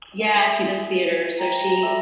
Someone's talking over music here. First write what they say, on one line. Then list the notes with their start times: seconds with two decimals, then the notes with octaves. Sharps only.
Yeah, she does theater, so she
0.36 G#4 E5
1.40 G5 A#5
1.83 G3 A4 E5